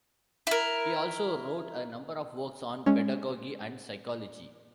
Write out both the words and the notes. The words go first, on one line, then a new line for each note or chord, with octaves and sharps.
He also wrote a number of works on pedagogy and psychology.
E4 A#4
G#3 C#4